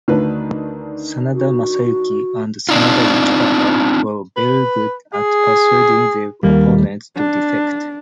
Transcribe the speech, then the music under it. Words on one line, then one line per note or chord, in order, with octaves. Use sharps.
Sanada Masayuki and Sanada Yukitaka were very good at persuading their opponents to defect.
D2 D#3 D4 B4
F#4
C4 D4 D#4 F4
B4
G#4
D#2 G3 A#3
D4